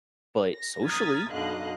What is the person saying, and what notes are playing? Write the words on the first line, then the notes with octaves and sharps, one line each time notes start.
but socially,
A#6
A#5 D#6 F6 G#6 A6 B6
B1 F#2 D3 D#5 F5 F#6